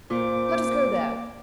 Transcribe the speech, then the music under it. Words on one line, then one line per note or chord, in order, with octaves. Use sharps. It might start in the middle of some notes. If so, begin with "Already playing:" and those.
Let us go there!
A#2 A#3 C5 D6